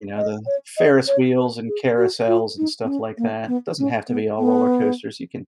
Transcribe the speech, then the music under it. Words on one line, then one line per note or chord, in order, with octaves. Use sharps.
you know, the Ferris wheels and carousels and stuff like that, doesn't have to be all roller coasters, you can
D#5
C#5
D#5
C#5
B4
G#4
F#4
F4
D#4
B3
C#4
A#3
B3
C#4
B3
B3